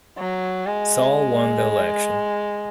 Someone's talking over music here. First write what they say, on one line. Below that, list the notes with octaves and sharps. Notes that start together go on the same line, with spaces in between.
Sall won the election.
F#3
G#3